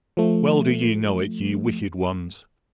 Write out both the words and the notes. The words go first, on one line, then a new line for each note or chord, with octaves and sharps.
Well do ye know it, ye Wicked Ones.
F3 A3